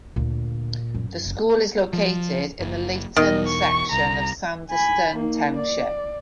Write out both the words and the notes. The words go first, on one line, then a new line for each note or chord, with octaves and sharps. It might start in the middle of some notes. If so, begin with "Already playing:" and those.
The school is located in the Layton section of Sandyston Township.
D2 A#2
F#2
F#1
F3
F#1
E2 B2 D#3 D#5
C#6
C2 A#5
G#5 B5
A#3 D#4
D5